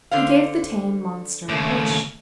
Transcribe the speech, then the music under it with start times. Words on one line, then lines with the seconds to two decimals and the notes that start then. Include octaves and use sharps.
He gave the tame monster a push.
0.11 D3 C5 F5
1.49 D#2 C#3 A3